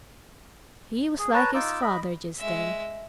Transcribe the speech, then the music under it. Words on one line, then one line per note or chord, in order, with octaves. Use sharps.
He was like his father just then.
G#4
B4 C#5 A5 A#5
D#4 F4 D6 E6
D#5 B5
G#3 E5